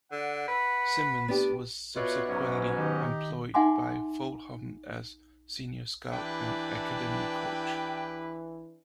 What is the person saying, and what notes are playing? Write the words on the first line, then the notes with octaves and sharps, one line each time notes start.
Symons was subsequently employed by Fulham as Senior Scout and Academy Coach.
D3 F#5
B4
B3 D4 G4
B2 F4 C#5 D5 E5 F#5 F#6
G#2 F#3 C#4
D#3 D#4 G4 D#5
D#4 E5 F#5 G#5 C6 D6
E3 D4 E4 G4 B4 G5